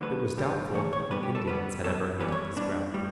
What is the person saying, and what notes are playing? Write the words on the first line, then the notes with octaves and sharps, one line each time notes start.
It was doubtful if even Indians had ever hunted this ground.
D2 D3 F#3 A3 B4
G2 D3 G3
A2 E3 A3 C#5
C#5
A2 G3 B3 B4
G4
A4
F#2 D3 G3 B3 B4
G2 F#3 B3 A4
F#2 E3 G3 B3 B4
C#5
A2 G3 B3 D4
A2 G3